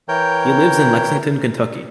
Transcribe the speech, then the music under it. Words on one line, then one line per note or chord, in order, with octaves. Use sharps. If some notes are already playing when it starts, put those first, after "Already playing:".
He lives in Lexington, Kentucky.
E3 A#4 C#5 G5 G6